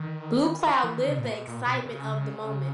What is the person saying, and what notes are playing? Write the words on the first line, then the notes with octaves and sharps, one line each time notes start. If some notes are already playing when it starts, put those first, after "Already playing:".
Blue Cloud lived the excitement of the moment.
Already playing: D#3
E3
D#3
C#3
A#2
B2
A#2
B2
C#3